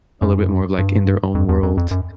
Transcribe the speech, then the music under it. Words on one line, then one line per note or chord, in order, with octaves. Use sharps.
a little bit more of, like, in their own world,
F#2
G2
F2
E2
F2
F2
F#2